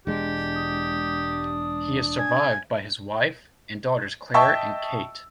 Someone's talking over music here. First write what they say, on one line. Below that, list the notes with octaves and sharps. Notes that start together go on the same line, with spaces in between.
He is survived by his wife, and daughters Clare and Kate.
E1 G#3 D4 G4
D#6
G#5
D#5 E5 G5 A5 C#6 E6